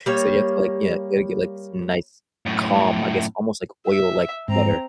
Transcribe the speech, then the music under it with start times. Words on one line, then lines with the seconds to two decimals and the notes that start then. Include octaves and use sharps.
so, you have to, like yeah, you gotta get, like, some nice calm I guess almost like oil like butter,
0.06 G3 A#3 C#5
2.46 F#2 A2
3.87 E5
4.48 G#2 C4 A#5